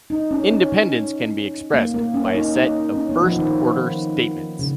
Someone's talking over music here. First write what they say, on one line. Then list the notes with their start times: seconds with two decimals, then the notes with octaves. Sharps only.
Independence can be expressed by a set of first-order statements.
0.10 D#4
0.31 C#4
0.52 C#4
1.74 A#3
1.94 A#3
2.14 C#4
2.35 D#4
2.55 D#4
2.96 C#4
3.09 B3
3.22 F3
3.36 D#3
4.59 C#3